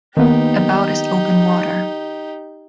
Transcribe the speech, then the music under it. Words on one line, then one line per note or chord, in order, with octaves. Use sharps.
About is open water.
D#3 A#3 B3 D#4 G4